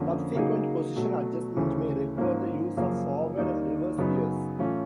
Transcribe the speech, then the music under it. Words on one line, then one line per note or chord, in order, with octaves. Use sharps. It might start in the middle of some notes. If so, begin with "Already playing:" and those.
Subsequent position adjustment may require the use of forward and reverse gears.
Already playing: F2 D3 F3 A#3 C#4
C#3 F#3 A#3 D#4 G#4
B2 F#3 A3
D2 C#3 E3 A3 C#4
G#2 F3 A#3 C#4
F#2 C#3 F3 A#3
D#2 D#3 G3 A#3 D#4
F#2 C#3 F#3 B3 D#4
A2 E3 A3 C#4 F4